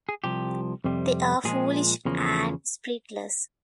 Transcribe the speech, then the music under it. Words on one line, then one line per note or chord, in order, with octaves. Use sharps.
They are foolish and spiritless.
G#4
C2 C3 F3 G4
F2 C3 G3
A#2 F3 G#3 G#4
E2 C#3 F3 A#3